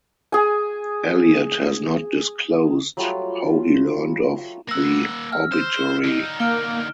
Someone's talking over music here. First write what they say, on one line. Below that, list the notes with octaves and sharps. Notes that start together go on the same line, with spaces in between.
Elliott has not disclosed how he learned of the obituary.
G#4 G#5
F#3 G3 A3 F4
A#3 F#5 E6 A#6
F6
C5 E7
D3 D#4
A#3 F6 D7 G7